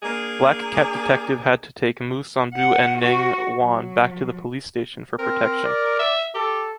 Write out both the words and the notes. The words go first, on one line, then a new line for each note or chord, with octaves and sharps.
Black Cat Detective had to take Mou Sandu and Neng Yuan back to the police station for protection.
A#3 D4 G#4
F#5
F#4
F#3
C4 A#4
D5
E5
G4 A4